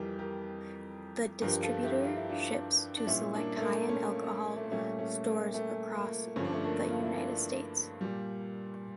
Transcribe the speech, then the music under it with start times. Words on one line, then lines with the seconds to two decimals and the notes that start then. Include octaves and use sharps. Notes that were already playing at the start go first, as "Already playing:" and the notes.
The distributor ships to select high end alcohol stores across the United States.
Already playing: F2 E3 G3 G4 A#4
0.19 G4 A#4
1.42 G2 F3 G4 A#4
1.63 F4 A4
1.83 E4 G4
2.04 F4
2.17 E4
2.29 D4 F4
2.97 D4
3.06 A#2 G3 C#4 E4
3.34 A#3 D4
3.57 A3
3.61 A#3
3.89 A3 C#4
4.56 A3
4.63 A#3
4.71 A#2 G3 A3 C#4
4.99 A3 C#4
5.26 A#3
5.54 A3
5.95 A#3
6.36 G2 D3 F3 C#4
6.44 D4
6.52 A3 C#4
6.64 A#3 D4
6.91 F4
7.03 E4
7.14 D4 F4
8.01 A#2 G3